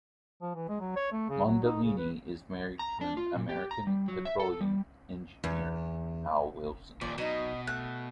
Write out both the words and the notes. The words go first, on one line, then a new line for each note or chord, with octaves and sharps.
Mondellini is married to an American Petroleum engineer, Al Wilson.
F3
E3
G#3
F#3
C#5
A3
C#3
F#3
D#4
C#3
B4
A#5
D4
F4
A#2
G4
A#5
G3
F#3
E5
A4
G3
E2
D#2 A#2 F3 D5
B2 F#3 D#4 D#5
A3 F#6